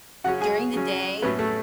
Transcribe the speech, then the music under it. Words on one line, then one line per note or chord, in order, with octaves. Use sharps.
during the day,
C#3 F#3 C#4 F#4 F#5
G#4 G#5
C#3 F#3 C#4
A2 F#3 B3 C#4 B4
A3 A4